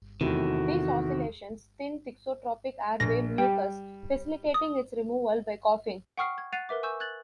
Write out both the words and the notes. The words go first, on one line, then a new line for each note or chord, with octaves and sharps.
These oscillations thin thixotropic airway mucus, facilitating its removal by coughing.
E2 C3 D#3 A3 E4 F#4
A#1 A#6
G3 G5
D#6
F#5 G5 C#6 D#6 F6 C7
G#6
F#5 F#6 A6 C7 D#7 F7
A#4 B4 E5 D6
G#5 C#6 E6 G6 E7
F#6 G#6 A6 F#7